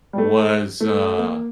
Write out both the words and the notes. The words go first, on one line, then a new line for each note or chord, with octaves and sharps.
was, uh,
G3
A3
A3
A#3